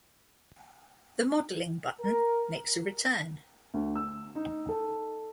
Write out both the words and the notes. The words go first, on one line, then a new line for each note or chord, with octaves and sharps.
The modeling button makes a return.
A#4
D2
E6
D#4
A4